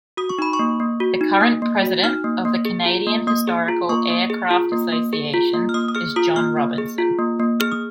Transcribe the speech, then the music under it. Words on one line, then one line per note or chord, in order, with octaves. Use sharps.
The current President of the Canadian Historical Aircraft Association is John Robinson.
F#4 D#6
C#6
D#4 B5
C#6
A#3
A#3
F#4
D#4
A#3
A#3
F#4
D#4 F6
A#3
A#3
G#4
F4
A#3
A#3 D#6
G#4
F4
A#3 C#6
A#3
G#4
F4
A#3
A#3
G#4
F4
A#3
F6
A#3 D#6
D#6
G#4 F6
F4 D#6
A#3 F6
A#3
G#4
F4
A#3
A#3
G#4 F6
D#6